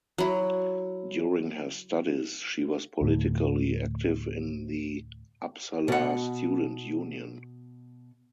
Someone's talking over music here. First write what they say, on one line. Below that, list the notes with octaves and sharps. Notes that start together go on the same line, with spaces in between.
During her studies she was politically active in the Uppsala Student Union.
F#3 E4
D2 A2
B2 F#5